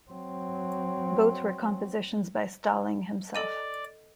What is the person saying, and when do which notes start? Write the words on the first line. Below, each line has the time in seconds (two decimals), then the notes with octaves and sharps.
Both were compositions by Stalling himself.
0.11 F#3 C4
3.35 A4 D5 D#5 D#7